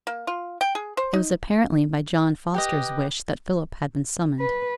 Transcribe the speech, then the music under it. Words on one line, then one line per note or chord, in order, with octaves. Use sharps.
It was apparently by John Foster's wish that Philip had been summoned.
A#3
F4
G5
G#4
C5
D#4
G4 B4 D#5
B4